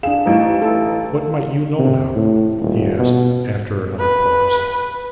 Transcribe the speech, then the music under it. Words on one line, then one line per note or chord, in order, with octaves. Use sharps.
"What might you know, now?" he asked after another pause.
D4 G#4 F5 E7
A1 D#4 C5
A3 E4 A4
C3
A2
D#1
B2
B4